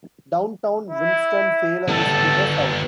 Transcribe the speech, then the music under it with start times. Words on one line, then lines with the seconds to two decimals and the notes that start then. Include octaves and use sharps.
Downtown Winston-Salem is to the south.
0.90 E4
1.89 G3 B3 A4